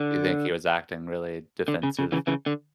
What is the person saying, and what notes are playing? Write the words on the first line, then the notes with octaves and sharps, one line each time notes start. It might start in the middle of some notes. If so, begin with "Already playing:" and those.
Do you think he was acting really defensive?
Already playing: D3
D3
C#3
C#3
C#3 E3
C#3 E3
D3